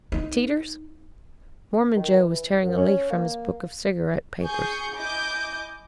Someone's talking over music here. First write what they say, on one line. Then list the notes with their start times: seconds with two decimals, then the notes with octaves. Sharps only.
"Teeters?" Mormon Joe was tearing a leaf from his book of cigarette papers.
0.12 D#4
1.97 D#3
2.16 E3
2.63 F#2
2.77 C#4
3.10 A#3
4.43 G#4 G#5 C#6 G6
4.94 E4 D#5 G#5 D6 G6